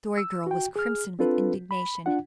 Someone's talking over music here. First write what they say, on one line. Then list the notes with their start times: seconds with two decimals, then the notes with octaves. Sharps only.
The Story Girl was crimson with indignation.
0.18 E6
0.47 F#4 G5
0.76 G#4 F6
1.19 C4 D4 F4 A4 B4
1.71 B5
2.06 D4 F4 F#5